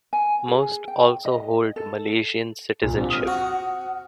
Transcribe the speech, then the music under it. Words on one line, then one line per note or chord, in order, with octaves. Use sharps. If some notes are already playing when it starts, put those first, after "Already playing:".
Most also hold Malaysian citizenship.
G#5
G#4
G5
D#5
A4
C2 A#2
A#1 C4 D4
D#6 F6
F#4 F#5